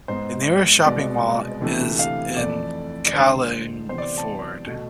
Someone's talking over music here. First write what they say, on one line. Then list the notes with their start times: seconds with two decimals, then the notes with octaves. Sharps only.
The nearest shopping mall is in Carlingford.
0.08 G#2 G#3 B3 C5
0.84 C2 B2 G#3 B3 D5
1.61 D2 C3 E3 A3 E4
1.99 F5
2.37 F2 E3 A3 D5
3.06 D5
3.13 D2 D3 G#3 C5
3.89 C3 E3 B3 C5
3.98 D5
4.18 A5
4.66 B2 A3